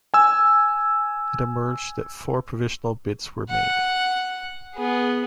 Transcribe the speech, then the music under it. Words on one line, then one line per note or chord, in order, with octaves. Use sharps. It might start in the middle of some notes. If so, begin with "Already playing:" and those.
It emerged that four provisional bids were made.
G#5 E6
F#5
B3 G#4